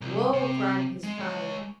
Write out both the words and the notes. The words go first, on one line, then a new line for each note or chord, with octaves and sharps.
"Whoa!" cried his father.
C2
C3
G#3
G#3 C#5